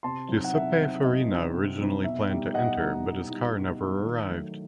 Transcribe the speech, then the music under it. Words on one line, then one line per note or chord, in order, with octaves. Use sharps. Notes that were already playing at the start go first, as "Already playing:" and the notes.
Giuseppe Farina originally planned to enter, but his car never arrived.
C3 A5 C6
F#3 C4 D#4
F#5
C3 E5
F#3 C4 D#4
C3 D#5
F#3 C4 D#4
C3
F#3 C4 D#4
B2 E5
G3 D#4
B2 D#5 F#5
G3 D#4
B2
G3 D#4
B2
G3 D#4
D#3
F#3 A3